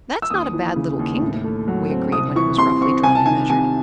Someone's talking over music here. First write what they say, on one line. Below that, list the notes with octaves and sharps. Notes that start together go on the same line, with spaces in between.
"That's not a bad little kingdom," we agreed when it was roughly drawn and measured.
E6
D#2 D#6
E3
C#3
D#2
A2
A3
F#3
C4
C2 D#6
E3 C#6
C3 C6
C4 C#6
C2 G#5
A5
D#3 G#5
C3 G#5